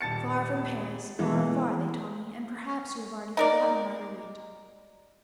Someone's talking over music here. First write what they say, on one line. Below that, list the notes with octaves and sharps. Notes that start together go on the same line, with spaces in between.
Far from Paris, far, far, they tell me, and perhaps you have already forgotten Marguerite.
D#1 A5 A6 C#7
B2 E3 G#3
D#4 A#4 D5